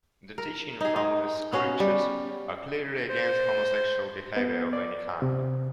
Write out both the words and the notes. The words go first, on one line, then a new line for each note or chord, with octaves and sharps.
The teaching from the Scriptures are clearly against homosexual behavior of any kind.
A#4
D#4 G#4
D#4
B3 C#4 F#4 F5
G3
C5
B3
D5
C3